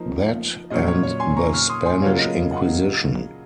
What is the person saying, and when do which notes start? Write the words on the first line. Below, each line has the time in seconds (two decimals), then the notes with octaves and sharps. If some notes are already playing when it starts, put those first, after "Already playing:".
That and the Spanish Inquisition.
Already playing: F3 A#3 D#4
0.70 A#2 F#3 C#4 D#5
0.87 C#5
1.03 C#5
1.20 G#5 C6
1.37 A#5 C#6
1.53 C#6 F6
1.69 C6 D#6
1.85 G#5 C6
2.02 C#3 F#3 A#3 F4 C#5 F5
2.18 D#5
2.52 D#5 F#5